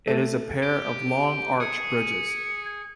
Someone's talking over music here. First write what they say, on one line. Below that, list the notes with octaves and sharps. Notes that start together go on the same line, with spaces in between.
It is a pair of long arch bridges.
A3
G4
G#4 C#7
G#6